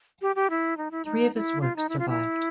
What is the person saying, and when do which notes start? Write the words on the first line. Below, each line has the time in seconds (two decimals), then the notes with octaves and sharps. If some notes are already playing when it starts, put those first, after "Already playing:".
Three of his works survived.
0.22 G4
0.36 G4
0.50 E4
0.77 D#4
0.91 E4
1.05 D#4
1.34 E4
1.61 F4
1.76 D#4
1.89 E4
1.99 F4
2.09 E4